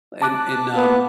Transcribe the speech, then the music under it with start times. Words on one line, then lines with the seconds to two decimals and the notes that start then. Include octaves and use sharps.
and and, um,
0.22 A5 D6 F#6
0.77 B3